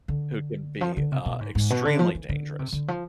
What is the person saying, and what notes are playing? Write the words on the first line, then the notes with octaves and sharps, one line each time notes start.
who can be, uh, extremely dangerous,
D3
F3
D3
C3
B2
G#2
G#2
B2
D3
F3
E3
D3
C3
D3
F3